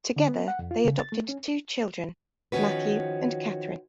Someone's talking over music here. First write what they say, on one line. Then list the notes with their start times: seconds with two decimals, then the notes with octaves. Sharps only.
Together they adopted two children, Matthew and Katharine.
0.16 D3
0.28 B3
0.48 F#5
0.59 F2
0.71 F4
0.85 C#3
0.99 A6
1.12 A3
1.29 C#4
2.52 D#3 F3 C#4 F#4 B4